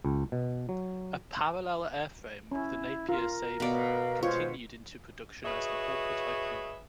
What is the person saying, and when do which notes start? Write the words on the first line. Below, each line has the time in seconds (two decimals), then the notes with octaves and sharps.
A parallel airframe with the Napier Sabre continued into production as the Hawker Typhoon.
0.05 C#2
0.32 B2
0.69 F#3
2.51 C#4 E4
3.09 F4 A#4
3.60 B2 D5 F5
4.23 G#3 F4 C5 C#5
5.45 F#4 G#4 B4 C#5 D#5 E5